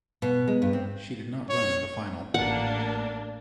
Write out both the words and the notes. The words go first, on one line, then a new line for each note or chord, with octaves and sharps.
She did not run in the final.
B2
G#3
G2
C4
C#5
A1 A#3 D4 F#5